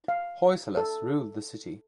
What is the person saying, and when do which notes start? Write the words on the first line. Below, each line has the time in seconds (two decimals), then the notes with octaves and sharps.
Hoysalas ruled the city.
0.08 F5
0.77 A4